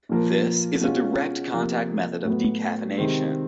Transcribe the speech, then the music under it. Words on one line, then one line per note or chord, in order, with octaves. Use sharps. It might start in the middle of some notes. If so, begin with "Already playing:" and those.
This is a direct-contact method of decaffeination.
A#2 F3 A#3
B2 G#3 C#4 F4
C3 F3 A#3
A2 F#3 B3
C3 D#3 G#3 C4